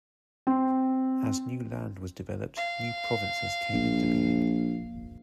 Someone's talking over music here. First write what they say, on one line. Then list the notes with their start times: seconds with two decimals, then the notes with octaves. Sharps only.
As new land was developed, new provinces came into being.
0.47 C4
2.57 F5
3.73 A#1